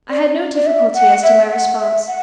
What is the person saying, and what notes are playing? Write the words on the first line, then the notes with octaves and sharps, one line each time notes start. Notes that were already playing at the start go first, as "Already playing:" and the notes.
I had no difficulty as to my response.
D5
D5
E5
F#5
E5
F#5
E5
F#5